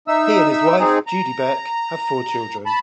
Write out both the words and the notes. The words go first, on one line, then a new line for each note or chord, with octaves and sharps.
He and his wife, Judy Beck, have four children.
D#4 E5 E6
C4 D#4 G#4
A#5
A5 B5